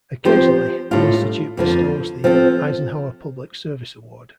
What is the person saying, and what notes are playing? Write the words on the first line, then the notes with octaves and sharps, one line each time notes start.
Occasionally, the institute bestows the Eisenhower Public Service Award.
F3 C4 G4 C5
A2 G3 D4 F4
F2 D3 F3
F3 C4 A4